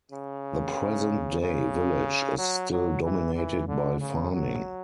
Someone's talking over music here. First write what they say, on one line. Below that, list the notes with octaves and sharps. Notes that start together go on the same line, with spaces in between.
The present day village is still dominated by farming.
C#3
C#3
F#3
F#3
E3
E3
D3
C#3
F#3